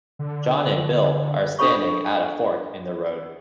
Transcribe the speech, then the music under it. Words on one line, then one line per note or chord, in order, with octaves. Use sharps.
John and Bill are standing at a fork in the road.
D3
D4 A4 C#5 B5 C#6